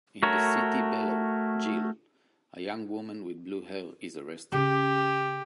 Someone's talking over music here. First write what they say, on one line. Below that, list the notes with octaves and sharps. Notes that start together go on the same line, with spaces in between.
In the city below, Jill, a young woman with blue hair is arrested.
A3 F#4 A#4 C#5
C#3 C#4 G4